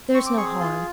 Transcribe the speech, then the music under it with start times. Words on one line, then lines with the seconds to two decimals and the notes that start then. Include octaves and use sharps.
'There's no harm.
0.14 C4 C#6
0.26 D6
0.37 G#4 C#6
0.60 F4 C6